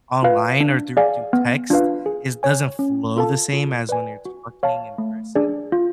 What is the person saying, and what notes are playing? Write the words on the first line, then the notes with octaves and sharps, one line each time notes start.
online or through through text is doesn't flow the same as when you're talking in person,
F4 B4 F5
D4
G#4 D5 F5 G#5
B3
D4 F4 B4 F5
G#4
C#5 G#5
C#4
F4 A4 F5 A5
F4
B4 D5 G#5
F#4
C#5 F5 A5
A3
D4 G#4 D5
F4